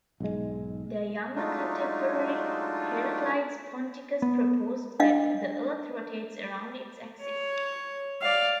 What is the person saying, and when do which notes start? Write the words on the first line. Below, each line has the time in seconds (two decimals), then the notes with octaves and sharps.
Their younger contemporary Heraclides Ponticus proposed that the Earth rotates around its axis.
0.20 B1 G#2 G#3
1.36 F#3 G#3 A3 D4 D#4 F4
4.22 B3
5.00 D4 D#5 F5
7.22 C#5
8.22 D5 F5